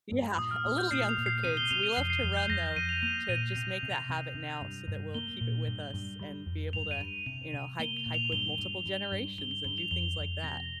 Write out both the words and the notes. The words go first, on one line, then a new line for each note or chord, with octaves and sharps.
Yeah, a little young for kids. We love to run though, to just make that habit now, so that we'll keep it with us, and be able to, you know, hike hike with multiple generations and do things like that.
G2
A#2 D#6
F6
A#2 D#6
G6
A#2 C7
F7
A#2
C7
C3 D#7
G7
C3 F7
D#7
F2 C7
C7
F2
G6
F2 A#6
F2 D#7
F7
A#3 F7
A#2 D#7
C3 D#7
F7
C3
F7
C3
C3
G2
G2
A#3 G7
A#2
G2
G2
G3
F2
G2 F7
D#7
G2
C3 F7
C3
A#3 G7
F7
A#2
F7
G2 G7
G2
G2
G2
G2 G7
G7
G2 G7
F7
F2 G7
F2
C3 A#6